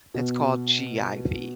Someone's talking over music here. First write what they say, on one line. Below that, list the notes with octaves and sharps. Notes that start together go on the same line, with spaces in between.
that's called GIV.
B2